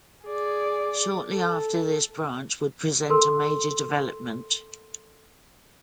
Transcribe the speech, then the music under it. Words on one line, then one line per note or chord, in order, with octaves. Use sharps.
Shortly after this branch would present a major development.
G#4 D5
A4
A4 A#4 C6 E6